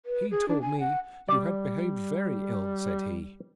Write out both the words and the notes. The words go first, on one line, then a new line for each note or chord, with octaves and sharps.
'He told me you had behaved very ill,' said he.
B4
G#4
D4
G#5
F#5
G3 D5